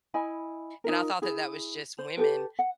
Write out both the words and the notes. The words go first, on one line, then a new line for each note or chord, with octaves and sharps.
and I thought that that was just women,
E4 D#5 G#5 B5
D#4 F4 A#4
E4 G#4
C5
G4 A4 B4
F#5